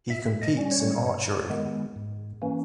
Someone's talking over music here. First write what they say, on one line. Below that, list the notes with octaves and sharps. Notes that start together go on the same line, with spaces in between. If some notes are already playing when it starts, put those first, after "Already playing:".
He competes in archery.
A#2 E5
D#5
G3 C#4
C#5
G2
D#3 G#3 B3
G#2
E3 A#3 C#4